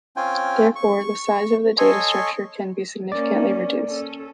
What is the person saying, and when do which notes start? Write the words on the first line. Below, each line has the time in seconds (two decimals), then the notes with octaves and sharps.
Therefore, the size of the data structure can be significantly reduced.
0.17 C4 C#4 F4 G5 G#5
0.76 C#6
1.78 A4 C#5 D#5 G#5 C6 C#6
3.12 A#3 C#4 D5
3.88 C#4 A4